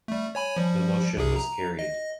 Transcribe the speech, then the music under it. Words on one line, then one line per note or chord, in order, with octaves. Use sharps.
The motion was carried.
G3 A3
C#5 G#5 B5
F3 G3
C2 C3 G#4
A#5
D#5